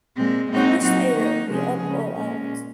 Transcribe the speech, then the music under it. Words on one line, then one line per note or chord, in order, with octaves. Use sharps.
He must either be up or out.
A#2 G#3 C4
A#2 G#3 C4 D#4 F#4
F#3 C4 D#4 F#4
D#3 A#3 D#4
C3 F3 G#3 C#4 G#4
C#3 G#3 C#4
A#2 G#3 C#4